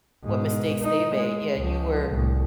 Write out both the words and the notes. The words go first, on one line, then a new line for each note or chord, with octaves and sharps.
what mistakes they made yeah, you were
G#2 B2
D#4
G#3
C#2 F3
C2 A2